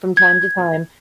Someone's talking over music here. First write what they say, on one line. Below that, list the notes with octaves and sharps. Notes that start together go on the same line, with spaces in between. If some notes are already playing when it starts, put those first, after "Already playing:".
from time to time,
G#6